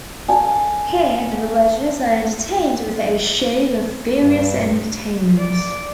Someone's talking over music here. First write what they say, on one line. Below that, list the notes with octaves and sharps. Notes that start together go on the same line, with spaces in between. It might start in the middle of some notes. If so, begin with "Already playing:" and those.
Here the villagers are entertained with a show of various entertainments.
G#5 A5
G2
D5